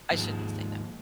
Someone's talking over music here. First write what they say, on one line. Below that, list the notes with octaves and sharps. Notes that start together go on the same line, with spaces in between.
I shouldn't say no.
D#2 G#2 F3 G#3